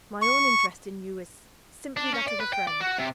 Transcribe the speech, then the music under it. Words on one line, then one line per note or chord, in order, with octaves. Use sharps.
'My own interest in you is--simply that of a friend.
C#6
D4
C#4
D5
B4
G5
D5
F#4
C3